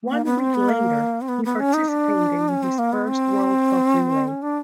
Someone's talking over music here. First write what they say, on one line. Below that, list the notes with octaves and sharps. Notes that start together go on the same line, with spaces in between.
One week later he participated in his first world cup relay.
A#3
B3
C4
B3
A#3
C4
B3
B3
C#4
D#4
D4
C#4
C4
A#3
B3
C4
C#4
D4